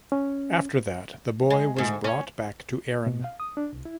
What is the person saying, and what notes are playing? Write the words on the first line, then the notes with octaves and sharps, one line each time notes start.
After that the boy was brought back to Erin.
C#4
G#3
D2 G#2
C#4
B2
F5
D#6
D4
C2
E4